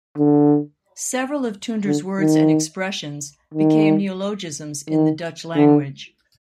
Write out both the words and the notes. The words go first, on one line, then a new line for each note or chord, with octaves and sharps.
Several of Toonder's words and expressions became neologisms in the Dutch language.
D3
D3
D#3
D#3
D#3
D3